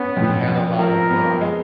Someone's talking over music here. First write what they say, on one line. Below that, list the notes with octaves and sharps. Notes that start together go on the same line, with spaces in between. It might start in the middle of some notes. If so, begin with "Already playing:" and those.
we had a lot of, um,
Already playing: B3 C#4
F2
F2
F3 A#4
B3
G#3